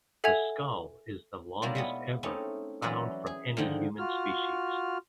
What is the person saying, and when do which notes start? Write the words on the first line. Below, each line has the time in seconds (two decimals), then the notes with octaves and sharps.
The skull is the longest ever found from any human species.
0.24 A4 E5 F#5 G#5 G#6 F7
1.62 F#3 G3 A#3 E4 F4 D5
1.75 B2 G#3 B3
2.23 A3 C4 C#4 D#4 E4
2.82 E3 F#3 C#4 E4 B4 D5
3.27 G#4
3.57 G#2 D3 D#3 F3
3.99 F4 F#4 F6